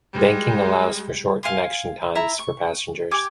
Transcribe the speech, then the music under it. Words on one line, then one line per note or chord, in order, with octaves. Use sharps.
Banking allows for short connection times for passengers.
G3 G#3
F5 G#5 C6
E4 E5 A#5
C#6
G4 G5 G#5 D6